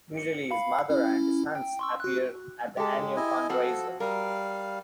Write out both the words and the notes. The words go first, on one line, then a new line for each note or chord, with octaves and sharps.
Usually, his mother and his sons appear at the annual fund-raiser.
C#7
F5 B5
C#4 E4
G5
C6 C#6 E6
F#4 F#6
G#3 G4 A4
E4 D#5 G#5
F3 C4 F#4 A4
G3 A#4 F5